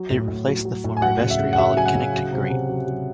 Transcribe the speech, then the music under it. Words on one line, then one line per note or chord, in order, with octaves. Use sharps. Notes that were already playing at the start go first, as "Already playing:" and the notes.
It replaced the former Vestry Hall at Kennington Green.
Already playing: F#3
A2
A2
F#3
F#3
A2
G#5
F#3 F#5
C#3
E5
C#3
F#5
F#3 E5
F#3 G#5
F#5
C#3
F#3
C3
C3
F#3
F#3